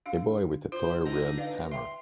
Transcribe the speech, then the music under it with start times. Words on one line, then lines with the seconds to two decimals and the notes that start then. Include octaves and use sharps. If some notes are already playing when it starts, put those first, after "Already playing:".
A boy with a toy red hammer.
0.06 D4 F#4 F5
0.72 F4 C5 G6
1.06 D3 D#4 A#6
1.38 B4 D5 F5
1.71 E5 G5 C6